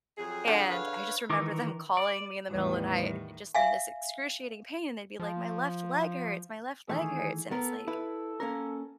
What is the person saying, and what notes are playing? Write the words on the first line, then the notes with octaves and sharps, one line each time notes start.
and I just remember them calling me in the middle of the night, eh, just in this excruciating pain, they'd be like, "My left leg hurts, my left leg hurts," and it's like,
F2 F#3 G#4
D3
B4 C#5 F5
D#3 E3 C#6 D6
D5
E2 A2 D#3 E3 G3
E5 F5 G#5
F3
D#3 E3 A3 G#4
B3 A4 A#4
E4 B4
A#3 C#4 A#4